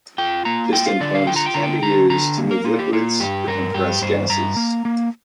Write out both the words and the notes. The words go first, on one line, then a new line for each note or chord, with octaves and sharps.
Piston pumps can be used to move liquids or compress gases.
F4 G5
A#3 A#5
F4 G5
F5
D3 D5
F5
F4 G5
A#5
G5
D3 A#5
G5
D3 A#5
D3 A#5
A#3
A#4
A#3 F4
G4
A#3 F4
G2 G4
G2 A#4
G2 G4
G2 C5
G2 A#5
A#3
A#3